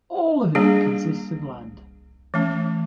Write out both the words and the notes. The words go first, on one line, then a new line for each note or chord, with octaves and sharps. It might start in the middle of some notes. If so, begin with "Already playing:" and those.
All of it consists of land.
G3 A#3 D4 G#4
E3 A3 C#4